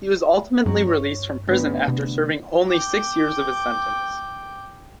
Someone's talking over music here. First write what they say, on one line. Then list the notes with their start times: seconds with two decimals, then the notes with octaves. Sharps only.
He was ultimately released from prison after serving only six years of his sentence.
0.66 G2 F#3 C4 F#4
0.87 C#5
1.47 D2 B3
1.88 C3
2.68 G5 D6